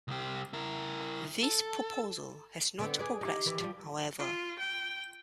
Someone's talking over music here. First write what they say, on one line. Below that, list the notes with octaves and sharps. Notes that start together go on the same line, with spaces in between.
This proposal has not progressed, however.
C2 G4
E4 A#4
A4
D3 B3 C4
G#4 B4 D5
D#4 E4 G4
D#3 E3 B4
F3 G3
F4
G5